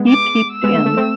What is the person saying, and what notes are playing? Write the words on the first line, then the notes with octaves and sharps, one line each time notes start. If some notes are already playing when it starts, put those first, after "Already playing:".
He peeped in.
Already playing: G#3 B3
D6
E6
G#3 B3
A3
A3
A3 C4